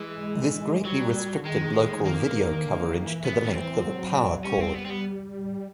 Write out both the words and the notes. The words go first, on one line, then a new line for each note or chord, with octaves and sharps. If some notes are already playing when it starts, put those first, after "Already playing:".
This greatly restricted local video coverage to the length of a power cord.
Already playing: E3 G#3
F#3 G3
D3
D#3 G#3
A#3
D3
D#3
E3
B3
C#4
C4
F3
F#3
G3 C#4
C4
B3
C4
B3